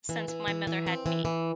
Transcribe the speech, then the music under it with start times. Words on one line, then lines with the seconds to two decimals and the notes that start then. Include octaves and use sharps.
since my mother had me,
0.09 E3
0.28 E3
0.48 E3
0.67 E3
0.86 C4
1.06 E3
1.25 E3